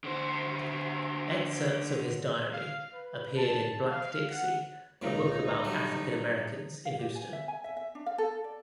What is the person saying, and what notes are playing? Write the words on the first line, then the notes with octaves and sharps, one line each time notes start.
Excerpts of his diary appeared in "Black Dixie", a book about African-Americans in Houston.
D3 C5
F5
B4
A5
F5
F#5
C#2 A#2 C#3 D#4
F#3 G3 A3
F5
G4
G#5
E5
G#5
E5
E5
D4
F5
A4
D5